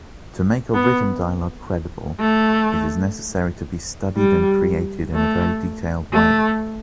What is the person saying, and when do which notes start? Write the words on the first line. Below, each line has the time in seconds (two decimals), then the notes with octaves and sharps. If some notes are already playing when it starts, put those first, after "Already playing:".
To make a written dialogue credible, it is necessary to be studied and created in a very detailed way.
0.74 B3
2.21 A3
4.17 G3
5.15 A3
6.13 A3